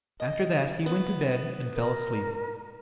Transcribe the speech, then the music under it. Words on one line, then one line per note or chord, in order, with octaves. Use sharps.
After that he went to bed and fell asleep.
D#5
B3
A#4